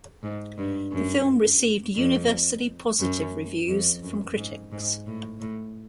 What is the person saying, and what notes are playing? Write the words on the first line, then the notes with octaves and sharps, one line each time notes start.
The film received universally positive reviews from critics.
G#2
G2
F#2
F2
F#2
F2
F#2
G#2
G#2
A2
A2